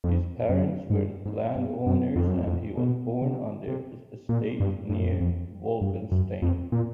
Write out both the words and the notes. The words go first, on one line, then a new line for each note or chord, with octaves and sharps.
His parents were landowners and he was born on their estate near Wolkenstein.
F2
F#2
G#2
G2
G#2
G2
F#2
F2
F#2
F2
F2
B2
C3
C3
A#2
G2
G2
F#2
F2
F#2
F2
G2
F#2
F2
A#2